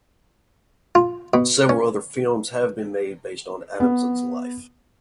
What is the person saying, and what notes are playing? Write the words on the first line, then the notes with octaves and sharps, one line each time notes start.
Several other films have been made based on Adamson's life.
F4
B2
C#4
B3